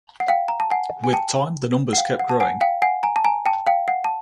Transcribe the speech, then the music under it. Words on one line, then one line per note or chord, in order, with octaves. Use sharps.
With time the numbers kept growing.
F#5
F5 G5
A#5
A5
F#5 G#5
G#5
G5 A5
F#5
F5 G5
F#5
A5
F#5 G#5
F5 G5
F#5 G#5
G#5 A#5
A5
G#5 A#5
G5 A5
F5 G5
F#5
A5